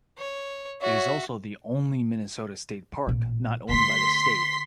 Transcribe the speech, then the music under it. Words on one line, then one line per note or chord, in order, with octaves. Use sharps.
It is also the only Minnesota state park not owned by the state.
C#5
F#4 C#5 E5
A1 A#2
D3 A3 C6 B6